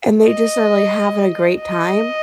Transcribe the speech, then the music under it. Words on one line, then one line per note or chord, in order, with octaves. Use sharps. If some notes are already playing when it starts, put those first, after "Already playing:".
and they just are like having a great time.
D#5
D#5